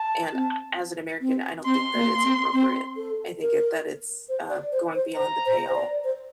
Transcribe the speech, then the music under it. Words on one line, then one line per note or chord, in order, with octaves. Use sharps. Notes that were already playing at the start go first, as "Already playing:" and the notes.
and a as an American, I don't think that it's appropriate, I think it that it's, uh, going beyond the pale.
Already playing: A5
C4
C4
C4 C6
A#3
C4
C4
A4
A#4
C5
D5
C5
C5
C5 A#5
C5
C5
D5
C5